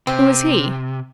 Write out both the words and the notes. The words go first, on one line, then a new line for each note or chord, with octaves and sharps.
"Who is he?"
C3 C4